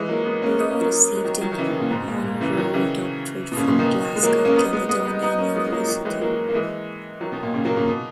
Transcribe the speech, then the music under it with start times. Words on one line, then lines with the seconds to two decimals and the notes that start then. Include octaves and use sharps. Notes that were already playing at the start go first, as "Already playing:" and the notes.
Law received an honorary doctorate from Glasgow Caledonian University.
Already playing: E3 G#3
0.09 F#3 A#3
0.25 G#3 B3
0.42 A#3 C#4
0.58 B3 D#4
0.70 A#3 C#4
0.81 F#3 A#3
1.15 G#3
1.24 D#3 F#3
1.41 D#3 F#3
1.52 D#3
1.58 C#3 E3
1.69 B2 D#3
1.80 A#2 C#3
1.91 G#2 B2
2.04 B2
2.08 A#2
2.24 A#2
2.40 C#3 E3
2.53 E3
2.57 D#3 F#3
2.74 C#3 E3
3.52 B2
3.57 A#2 C#3
3.63 B2
3.68 A#2 C#3
3.79 B2 D#3
4.16 G#3
4.23 F#3 A#3
4.45 A#3 C#4
4.56 B3 D#4
4.73 G#3 B3
4.89 G#3 B3
5.05 B3 D#4
5.22 B3 D#4
5.39 A#3 C#4
5.55 G#3 B3
5.67 G#3
5.72 F#3 A#3
5.88 D#3 F#3
6.05 E3 G#3
6.21 F#3 A#3
6.49 A#3
6.54 E3 G#3
7.21 D#3 F#3
7.32 B2 D#3
7.43 A#2
7.54 A#2 C#3
7.65 F#3 A#3
7.75 A#2 C#3
7.87 B2